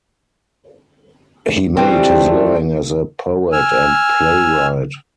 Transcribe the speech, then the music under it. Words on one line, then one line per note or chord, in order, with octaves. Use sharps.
He made his living as a poet and playwright.
E3 G3 A3 C4
G#5 E6 F6